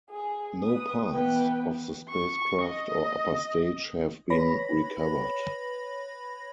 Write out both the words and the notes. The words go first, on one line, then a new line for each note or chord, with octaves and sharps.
No parts of the spacecraft or upper stage have been recovered.
G#4
B4 D#6
E3 B3 B4 G5
C#6
D#5
B4 C#5 B5 A#6